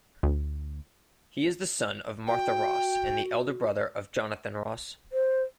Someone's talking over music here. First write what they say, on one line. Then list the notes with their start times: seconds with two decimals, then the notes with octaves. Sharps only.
He is the son of Martha Ross and the elder brother of Jonathan Ross.
0.23 D2
2.27 F#4 G5
5.13 C5